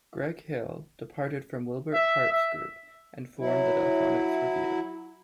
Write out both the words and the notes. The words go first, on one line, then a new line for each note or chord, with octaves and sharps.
Greg Hill departed from Wilbert Hart's group and formed The Delfonics Revue.
E5
E5
F#3 E4